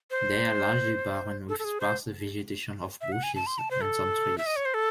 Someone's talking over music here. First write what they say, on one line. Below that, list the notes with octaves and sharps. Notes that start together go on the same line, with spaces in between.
They are largely barren, with sparse vegetation of bushes and some trees.
C5
A4
A4
G#4
C5
E5
F#5
G#5
A5
C6
A5
C5
A4
E5
D#5
C#5
C5
A4